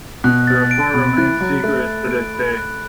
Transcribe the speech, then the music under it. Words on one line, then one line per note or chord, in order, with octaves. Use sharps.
The report remains secret to this day.
B2 F#6
A6
D7
B2 B5
E3 F#6
F#3 A6
A3 F#6
A6
D7
B5
F#6